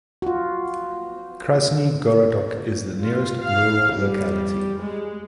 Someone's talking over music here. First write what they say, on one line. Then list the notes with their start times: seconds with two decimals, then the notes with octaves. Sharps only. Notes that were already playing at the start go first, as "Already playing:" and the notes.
Krasny Gorodok is the nearest rural locality.
0.22 F4 F#4
3.01 F4
3.41 F5
3.95 G3
4.80 G#3